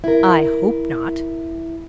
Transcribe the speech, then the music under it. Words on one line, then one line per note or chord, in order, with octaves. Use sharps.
"I hope not."
E4 A#4